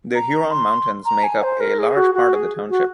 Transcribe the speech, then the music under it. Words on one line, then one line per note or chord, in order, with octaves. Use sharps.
The Huron Mountains make up a large part of the township.
A#5
C6
A#5
G#5
C5
A#4
G#4
F#4
F#4
G#4
F#4